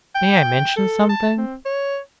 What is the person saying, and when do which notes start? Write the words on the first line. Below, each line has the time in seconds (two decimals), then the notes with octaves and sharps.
May I mention something?'
0.15 G5
0.76 A4
1.09 A5
1.38 C4
1.66 C#5